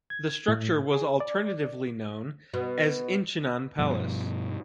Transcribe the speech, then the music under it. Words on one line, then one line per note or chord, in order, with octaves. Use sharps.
The structure was alternatively known as Inchinnan Palace.
G#6
A2
G#4
D5
B2
G2 B2 F3